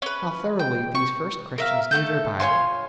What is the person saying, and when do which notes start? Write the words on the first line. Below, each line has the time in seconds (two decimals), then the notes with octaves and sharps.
How thoroughly these first Christians knew their Bible!
0.02 C#4 B4
0.59 G5
0.95 C#6
1.58 A#4 E5 F5
1.91 A3 B3 A4 G6
2.40 F4 C#5 G#5 C6